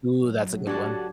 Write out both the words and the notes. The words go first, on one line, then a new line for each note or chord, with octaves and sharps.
Ooh, that's a good one.
A2 F#3
D3 D4 F#4 G4 A5 G#6